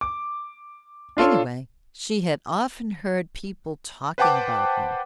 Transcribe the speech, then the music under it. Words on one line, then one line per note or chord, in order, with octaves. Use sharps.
Anyway, she had often heard people talking about him.
D6
D4 F4 A4 C#5
B4 C5 F#5 G5 A5 D6